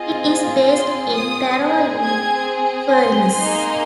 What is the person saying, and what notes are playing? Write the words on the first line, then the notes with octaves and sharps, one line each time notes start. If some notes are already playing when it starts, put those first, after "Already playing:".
It is based in Barrow-in-Furness.
Already playing: C4 F4 G#4 D#5
C6
D#6
C4 G#4
G#6
C6
A#3 D#4 G#4